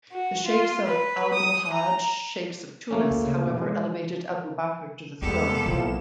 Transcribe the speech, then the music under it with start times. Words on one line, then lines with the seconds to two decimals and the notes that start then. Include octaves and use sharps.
The sheikhs of Almohad sheikhs of Tunis however elevated Abu Bakr to the throne.
0.12 F#4
0.46 F4
0.85 B4
1.34 D#6
1.73 A#5
2.91 A3 A#3 C#4
3.11 D2
3.23 C#3
3.46 B2
3.61 G#3
5.22 E2 G3 G#3 A#3 B3 G4 A4 E7
5.66 B1 A2 F3